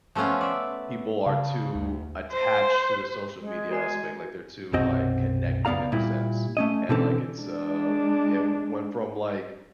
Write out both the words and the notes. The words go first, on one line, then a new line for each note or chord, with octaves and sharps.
"people are too attached to the social media" aspect, like, they're too, like, connected in a sense, and, like, it's, uh it went from, like,
F3 A3 B3 C#4 F4
D5 E5
C#3 F5 A5
D2
C5
G#3
F#4 A#4 G#5 C7
B1 F#2 C3 C4 F#4 D#5
C#2 B3 D5 F5 A#5
A#2 G3 E4
A3 C#4 D#5
B2 D3 E3 C4 C#4 A4
G#3 D4